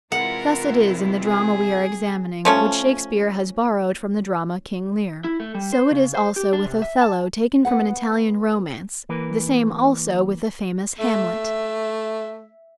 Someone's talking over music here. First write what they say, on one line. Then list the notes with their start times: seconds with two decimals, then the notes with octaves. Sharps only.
Thus it is in the drama we are examining, which Shakespeare has borrowed from the drama "King Leir." So it is also with Othello, taken from an Italian romance, the same also with the famous Hamlet.
0.12 C3 E3 G#3 E4 F4 A#4 F#5
1.25 G#4
2.45 F3 A3 C#4
5.24 E4
5.40 A3
5.55 G3
5.73 C5
5.91 C#3
6.15 C5
6.36 G4
6.53 D4
6.65 C3
6.82 E5
7.01 A5
7.65 B3 B4 F#5
9.09 E3 A#3 A#4 B4
10.99 A3 E5